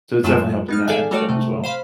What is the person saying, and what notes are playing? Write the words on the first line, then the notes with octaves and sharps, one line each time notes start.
So it's definitely helped in that aspect as well.
F#2 F#3 G#3 A3 F4 E7
B3 D#4 F6
G#4 A4 D5 E5 F5 G#5
G3 A3 F#4 A4 C#5 D5
C3 A3
C5 F5 B5